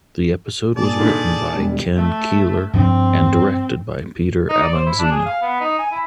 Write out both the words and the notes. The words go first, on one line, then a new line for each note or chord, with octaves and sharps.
The episode was written by Ken Keeler and directed by Peter Avanzino.
A#2 G#4 D5 A5
G2 D3 D#3
E1 G3
A3
G2 F3 C4 D4
D#4
D5
C5
E4
D4
G#4
F5
B3
D#4
G#5
E4